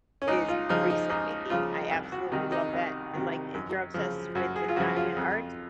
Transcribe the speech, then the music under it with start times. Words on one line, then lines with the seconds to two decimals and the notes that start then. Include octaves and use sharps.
is bracelet making. I absolutely love that, and, like, you're obsessed with the diamond art,
0.22 C#4
0.28 C#2 D#4
0.48 F4
0.69 C#3 F3 D#4
0.90 D#4
1.10 C#2 D#4
1.50 C#3 F3 F4
1.91 C2
2.12 F#4
2.32 C3 D#3 D#4
2.52 D#4
2.73 C2
3.13 C3 D#3
3.54 F#2
3.94 C#3 F3
4.35 F#2 F#4
4.56 G#4
4.68 F4
4.76 C#3 F3 F#4
4.96 F4
5.17 F2